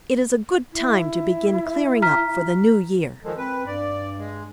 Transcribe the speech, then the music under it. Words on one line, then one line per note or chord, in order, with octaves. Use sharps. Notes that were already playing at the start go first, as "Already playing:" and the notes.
It is a good time to begin clearing up for the new year.
E4
A#5 F6 B6
D#3 F3 G#3 A4
C4 B4
G2 D5
G#3